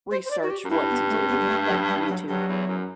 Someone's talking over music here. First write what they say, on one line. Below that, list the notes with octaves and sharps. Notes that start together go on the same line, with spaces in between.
research what to do, like YouTube.
C5
C5
D5
F#4
G4
F#2
G2 E4
B3
A3
B3
G3
A3
F#3
G3
F#3
G2 F#3
E2
F#2